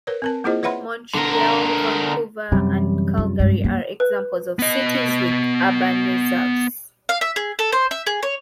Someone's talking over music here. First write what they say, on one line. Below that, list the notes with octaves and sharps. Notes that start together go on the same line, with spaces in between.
Montreal, Vancouver and Calgary are examples of cities with urban reserves.
A#4 B4 C#5
C4 A#4 A5
A#3 E4 F4 G#4 C5 D#5
B4 C#5 E5 F#5 B5 C6
D3 A#4
F#2 C3 E3 G3
F4
G2 G#3
A#3
B4
B3 D#5
F5
E5
G#4
A4
C5
E5
G#4
C#5